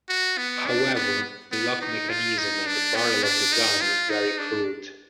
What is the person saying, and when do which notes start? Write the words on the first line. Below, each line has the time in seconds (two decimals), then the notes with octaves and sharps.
However the lock mechanism and the barrel of the gun is very crude.
0.09 F#4
0.38 B3
0.66 D4
0.95 B3
1.52 B3
1.81 D#4
2.09 F4
2.38 D#4
2.67 D4
2.95 B3
3.24 D4
3.52 D#4
3.81 F4
4.10 D#4
4.38 D4